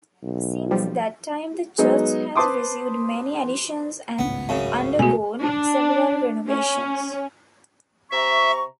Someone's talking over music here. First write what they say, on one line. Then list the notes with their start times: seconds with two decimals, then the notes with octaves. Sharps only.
Since that time the church has received many additions and undergone several renovations.
0.23 B1
0.71 F3 G3
1.78 F#3 G#3 B3 D#4
2.35 B4 C5 A5 C6 D6 D#6
4.19 G#1 C#2 A2 B3
4.49 F#2 C#3
4.99 B2 G#3 A3 F#4 G#5
5.42 D4
6.47 C#4
8.11 C3 E5 A#5 C#6